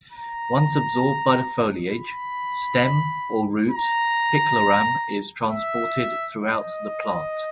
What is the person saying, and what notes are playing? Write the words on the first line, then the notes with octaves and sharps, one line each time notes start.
Once absorbed by the foliage, stem, or roots, picloram is transported throughout the plant.
A#5
B5
A#5
E5
D#5